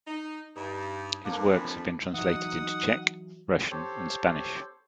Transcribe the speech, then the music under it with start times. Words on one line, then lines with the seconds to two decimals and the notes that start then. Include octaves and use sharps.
His works have been translated into Czech, Russian and Spanish.
0.07 D#4
0.56 G2 D#4
1.25 F2 A#3 D4
1.53 G#5 A5 B5
2.14 E3 F#3 D#4 F#5 D#6
3.71 G4 A4 C5 C#5